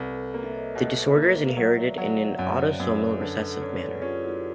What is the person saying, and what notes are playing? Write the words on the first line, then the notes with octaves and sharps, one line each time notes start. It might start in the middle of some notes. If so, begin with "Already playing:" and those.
The disorder is inherited in an autosomal recessive manner.
Already playing: C2 A4 B4
A4 B4
A#3
E5
C#5 D#5
B2
A#3
F5
F#3 D5 E5
E5 F#5
F#3 F5 G5
E5 F#5
F#2 D5 E5
C5 D5
F#2 B4 C#5
A#4 C5
D3 A4 B4
A4 B4
C#4
D5
B4 C#5
G#4
C#4 F4 G4
E4 F#4